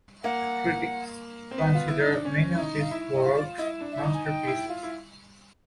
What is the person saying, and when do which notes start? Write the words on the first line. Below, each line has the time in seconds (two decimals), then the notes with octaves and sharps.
Critics consider many of his works masterpieces.
0.23 A#3 F#5
1.51 C4
1.58 B3
1.75 F4
1.88 E4
2.00 D#4
2.12 D4
2.25 C#4
2.54 E4
2.58 D#4
2.80 F5
2.91 E4 E5
3.14 D#5
3.26 F4
3.36 D5
3.58 E4 D#5
3.80 D4
3.92 E5
3.97 E4
4.03 D#4
4.14 G#5
4.25 D#4 G5
4.47 E4
4.69 F4
4.83 E4